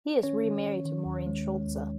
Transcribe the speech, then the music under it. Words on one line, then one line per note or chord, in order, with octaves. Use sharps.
He is remarried to Maureen Schulze.
D#3 C#4 C#5
D#3
D#3
D#3
D#2
G#3
G#3
D#2